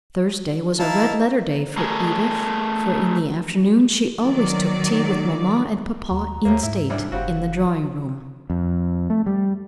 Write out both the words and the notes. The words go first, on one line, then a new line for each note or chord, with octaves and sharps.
Thursday was a red-letter day for Edith, for in the afternoon she always took tea with mamma and papa in state, in the drawing-room.
D#4 E4 D#5 F5 A5
A3 G#4 A#4
D#3 F#3 D5
D#2 A#5
D#2 A2 C3 A#3
G#2 E4
C2 D4 E4 D5
F#1 G3 C4 F#4 F5
F2
A3
G3